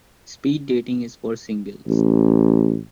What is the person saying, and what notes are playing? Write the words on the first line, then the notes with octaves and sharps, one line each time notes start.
Speed dating is for singles.
A1